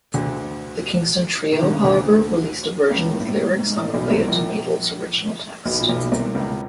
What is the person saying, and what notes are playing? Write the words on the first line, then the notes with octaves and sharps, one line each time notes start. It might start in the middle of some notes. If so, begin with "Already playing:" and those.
The Kingston Trio, however, released a version with lyrics unrelated to Meidell's original text.
D2 D3
D#3
D3
C#3
D2 D3
C#2 C#3
G2
A2
G#2
G2
G#2
A1 A2
B1 B2
C2 C3
A#1 A#2
B1 B2
A#2
B1 B2
C2 C3
C#2 C#3